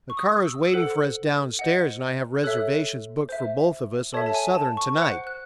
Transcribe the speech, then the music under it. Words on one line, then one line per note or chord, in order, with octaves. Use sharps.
A car is waiting for us downstairs and I have reservations booked for both of us on the Southern to-night.
C#6
D#6
E6
E6
A4 C5 F#5 F#6
C5 D#5 F#5
A4 C#5 E5 F#6
C5 E5
A4 C#5 E5 A5
A5
G#5
A5
C#6
C5 F#5 F#6
F#6